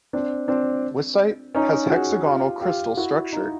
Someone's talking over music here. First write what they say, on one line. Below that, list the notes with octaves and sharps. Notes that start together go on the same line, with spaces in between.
Weissite has hexagonal crystal structure.
C4 D4
C4 D4
C#4 D#4
F#4 G#4
F4 G4
F4 G4
E4 F#4
D#4 F4